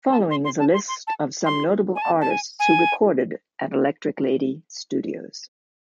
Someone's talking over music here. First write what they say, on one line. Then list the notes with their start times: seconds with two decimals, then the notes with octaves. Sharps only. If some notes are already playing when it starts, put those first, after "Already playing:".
Following is a list of some notable artists who recorded at Electric Lady Studios.
0.11 A5
0.31 C6
0.45 C6
0.59 A5
0.74 C6
0.88 C6
1.07 A5
1.46 C6
1.95 G#5
2.02 A5
2.21 A5
2.30 G#5
2.60 G#5